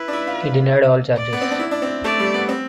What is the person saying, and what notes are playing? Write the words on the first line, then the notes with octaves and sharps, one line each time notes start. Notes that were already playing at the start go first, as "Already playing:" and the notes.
He denied all charges.
Already playing: E4 B4
D4
E4
F4
D5
B3
C4
D4
E4
D4
C4
A3 D5
G3
B3
C4